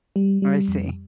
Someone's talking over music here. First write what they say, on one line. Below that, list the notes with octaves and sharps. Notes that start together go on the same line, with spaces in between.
I see.
G3
G3
F2